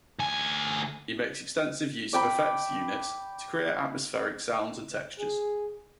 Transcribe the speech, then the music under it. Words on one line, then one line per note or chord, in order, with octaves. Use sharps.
He makes extensive use of effects units to create atmospheric sounds and textures.
D2 G#5
D5 G5 B5
G#4